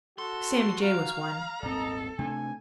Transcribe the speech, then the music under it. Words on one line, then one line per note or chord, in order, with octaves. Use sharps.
Sammy Jay was one.
F#4 A4 C6
F5 A#5
D#1 G#1 C4 A4 D#5
C3 A3 D4 G#5